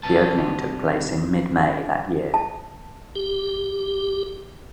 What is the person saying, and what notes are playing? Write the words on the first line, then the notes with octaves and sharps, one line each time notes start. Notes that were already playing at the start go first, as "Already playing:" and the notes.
The opening took place in mid May that year.
C3 G3 B4 A5
A5
G4